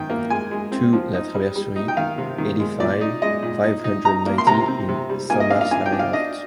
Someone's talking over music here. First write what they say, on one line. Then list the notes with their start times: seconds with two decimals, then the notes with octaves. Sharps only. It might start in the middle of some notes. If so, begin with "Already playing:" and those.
Two la Traverserie, eighty-five, five hundred ninety in Saint-Mars-la-Réorthe.
Already playing: D#3 G5
0.10 A#3
0.30 G#3 G#5
0.51 G#3
0.72 C4
0.93 F3
1.14 D#4
1.34 G3
1.56 G3
1.76 D#4
1.88 G5
1.97 D#3 F5
2.18 C3
2.38 D#3
2.60 G#3
2.80 A#2 D5
3.01 D#4
3.22 G#3 D#5
3.43 A#2
3.64 D#4
3.84 D#4
4.05 D#4 A#5
4.26 A#3
4.38 C6
4.47 C3 A#5
4.68 C4
4.88 C3
5.09 G3
5.30 A#3 G#5
5.40 D#5
5.50 D4 F5
5.61 F5
5.71 D4 G#5
5.86 G5
5.92 D4
5.99 F5
6.13 D4 D#5